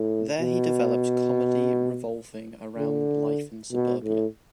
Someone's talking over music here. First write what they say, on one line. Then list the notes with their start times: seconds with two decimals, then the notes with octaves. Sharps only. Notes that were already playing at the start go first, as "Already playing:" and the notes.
There, he developed comedy revolving around life in suburbia.
Already playing: A2
0.40 B2
2.77 D3
3.72 B2
4.04 A2